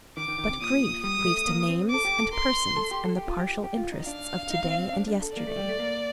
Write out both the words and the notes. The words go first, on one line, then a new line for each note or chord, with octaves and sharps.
But grief cleaves to names, and persons, and the partial interests of to-day and yesterday.
D#3 D6
D#3
D#3
C3
A#2 D#6
G3 D#6
G3
A3
A#3
C4
A4 D6
G4
A4
A#4 C6
A4
G4
A4
G4
F4
G4
G4
F4
D#4
D4 F5
D#4
C4
C4
D4
D4
A4
A#3 D5
A3
G3
A3
A#3